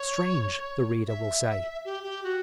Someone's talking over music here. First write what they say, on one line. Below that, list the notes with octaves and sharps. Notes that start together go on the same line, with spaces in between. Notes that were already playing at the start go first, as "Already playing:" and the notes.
"Strange!" the reader will say.
Already playing: C#5
E5
G4
G4
F#4